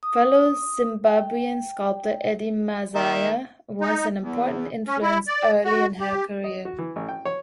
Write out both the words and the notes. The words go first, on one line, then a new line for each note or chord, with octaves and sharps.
Fellow Zimbabwean sculptor Eddie Masaya was an important influence early in her career.
D#6
G5
D#3 A#3 E5
D#4
E2
C#4
E4
D5
F#4
G4
D#5
F#4
E3
A1
G5
C#5